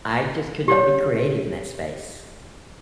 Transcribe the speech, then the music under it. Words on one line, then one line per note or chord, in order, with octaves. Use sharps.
I just could not be creative in that space.
G4 C#5